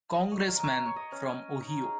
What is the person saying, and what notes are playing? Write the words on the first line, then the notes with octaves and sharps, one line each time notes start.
Congressman from Ohio.
D#5
C#5
A#4
C#5
C#5
D#5
C#4
D#4
G#4